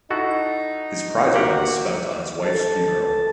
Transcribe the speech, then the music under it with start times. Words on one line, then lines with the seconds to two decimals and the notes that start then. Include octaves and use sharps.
His prize money was spent on his wife's funeral.
0.10 D#4 E4 F#4 A4
1.34 A#3 F#4 G4
2.43 A4 A5